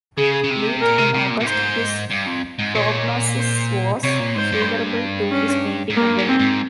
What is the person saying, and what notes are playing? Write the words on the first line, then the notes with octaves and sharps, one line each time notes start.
Late in August his prognosis was favorable to his painting again.
C#3 G#4
C#3
C3
A#2 A#4
C3
C3
A#2
A#2
G#2 C5
G2
F2
G#2
A#2 C#5
C5
C3 C#5
A#2
G#2 C5
G2
C#4
G#2
G2 A#3
G#2
C4
G#2